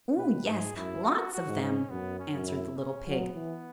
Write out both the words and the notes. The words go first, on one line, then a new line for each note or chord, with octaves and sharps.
"Oh, yes, lots of them," answered the little pig.
B2 B4
G#2 G#4
F#2 E4
F#4
F#4
G#2
C#4
F#2 B3
C#4
F#2
E4
C#4
F#3
B3
E3